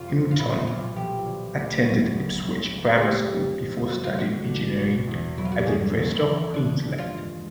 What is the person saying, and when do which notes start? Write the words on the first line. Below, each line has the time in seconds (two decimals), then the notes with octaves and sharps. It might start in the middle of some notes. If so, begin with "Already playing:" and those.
Hamilton attended Ipswich Grammar School before studying engineering at the University of Queensland.
Already playing: G#1 F2 C3 F4
0.09 F3
0.31 F4
0.39 A#2 E4
0.67 B1 F4
0.96 F3 G4
1.26 D3
1.55 D2
1.85 F#3
2.14 F#2
2.43 G1
2.74 C#3
2.98 G#4
3.03 D3 G4
3.31 F2
3.61 F3
3.90 F#2 F#4
4.04 F4
4.19 F#1 F#4
4.49 D3
4.78 B2
5.07 E2
5.37 F#3 E4
5.45 F4
5.52 F#4
5.59 G4
5.66 C#3 G#4
5.96 D#2
6.10 E4
6.26 E3
6.54 E3 D4
6.84 G2
6.98 F4
7.13 G#3